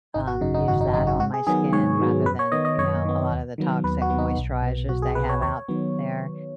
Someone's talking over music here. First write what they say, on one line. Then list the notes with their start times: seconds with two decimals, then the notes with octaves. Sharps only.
um, use that on my skin rather than, you know, a lot of the toxic moisturizers they have out there.
0.14 G#1 D#4
0.27 F#4
0.41 F#2 C#3 D#4
0.54 D#4
0.67 G#1 F#4
0.81 D#4
0.94 F#2 C#3 D#4
1.07 F#4
1.20 G#2 F#4
1.34 G#4
1.47 D#3 F#3 B3 G#4
1.73 G#2 C#5
1.99 D#3 F#3 B3
2.25 F#2 B4
2.39 C#5
2.52 D#3 B3 D#5
2.65 D#5
2.78 F#2 C#5
3.05 D#3 B3
3.31 D#2
3.58 D#3 F#3 B3
3.83 D#2 B4
4.02 F#4
4.10 D#3 F#3 B3
4.18 D#4
4.37 B1
4.63 B2 B3
4.89 B1 F#4
5.02 G#4
5.15 B2 B4
5.19 B3
5.29 C#5
5.42 D#2 C#5
5.68 D#3 F#3 B3